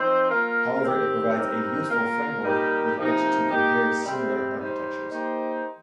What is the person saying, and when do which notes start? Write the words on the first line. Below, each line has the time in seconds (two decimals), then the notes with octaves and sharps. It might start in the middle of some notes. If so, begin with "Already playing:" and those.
However, it provides a useful framework with which to compare similar architectures.
Already playing: F3 C4 D#4 C5
0.29 A#3 F4 A#4
0.83 D#3 C4 G4
1.36 G3 C4 D#4 A#4
1.90 A#3 F4 A#4
2.43 A#2 G3 D#4 G4 A#4
2.97 C3 F3 A#3 D#4
3.50 A#3 D#4 G4
4.04 C3 G3 C4
4.58 G3 D#4 C5
5.11 A#3 D#4 G4 C5